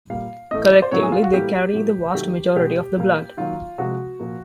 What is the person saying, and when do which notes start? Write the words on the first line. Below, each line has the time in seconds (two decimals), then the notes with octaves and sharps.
Collectively, they carry the vast majority of the blood.
0.10 A#2 G3 A#3 F5
0.51 A2 E3 A3 D#5
0.72 D5
0.82 C5
0.91 A2 F#3 A3 C#5
1.03 G#4
1.12 F4
1.23 F#4
1.33 A2 E3 G3 A#3 G4
1.74 A2 F#3 A3
2.10 F#4
2.15 D#3 F#3 A3 G4
2.56 B2 G#3 G4
2.97 A#2 G3 A#3
3.37 D#3 F#3 A#3 F4
3.78 C3 F3 G#3 F#4
4.19 A#2 F3 A#3